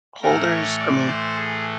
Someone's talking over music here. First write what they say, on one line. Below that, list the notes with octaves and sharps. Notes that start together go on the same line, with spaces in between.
holders? I mean
A2 E3 A3 A#4
C#5
D5
C5
G#4